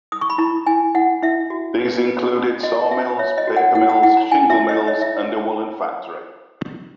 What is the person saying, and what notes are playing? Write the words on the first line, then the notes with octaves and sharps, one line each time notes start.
These included saw mills, paper mills, shingle mills, and a woolen factory.
D#6
C#6
B5
E4 A#5
E4 G#5
E4 F#5
E4 E5
F#4
B4
B4
F#4
F#4 D#5
F#4 E5
C#5 E5
D#5
F#4
F#5
E4 F#5
F#5
E4 F#5
A#5
E4 G#5
E5
E4
D#5
C#5 D#5
E5